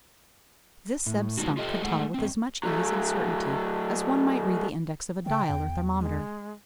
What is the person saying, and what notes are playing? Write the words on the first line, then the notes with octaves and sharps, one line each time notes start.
This Zeb Stump could tell with as much ease and certainty, as one might read the index of a dial, or thermometer.
A2
B2 G#3 A#3 D#4 F4 F#4
F4 G4 A4 D#5 E5 G5
G#3 A3 G#4 F#5
G2 C4
F#3 A3
C#3 G5
E2
G#3